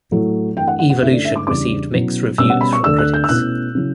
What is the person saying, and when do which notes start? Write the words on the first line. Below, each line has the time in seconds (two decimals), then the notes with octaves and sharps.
"Evolution" received mixed reviews from critics.
0.11 A2 F#3 A3 E4
0.56 G2 E3 A3 G5
0.67 F#5
0.79 F#5
0.90 F#5
1.02 G2 D3 A3 C#4 E4 E5
1.13 D5
1.25 E5
1.36 D6
1.47 E2 C#3 G3 D4 D6
1.92 B2 F#3 C#4 E4
2.38 B2 G3 C#4 E6
2.50 F#5
2.61 B5
2.73 C#6
2.83 D2 D3 A3 D4 E6
2.99 F#6
3.14 G6
3.24 E6
3.29 B2 A3 C#4 E4 F#6
3.75 C#3 F#3 C#4 E4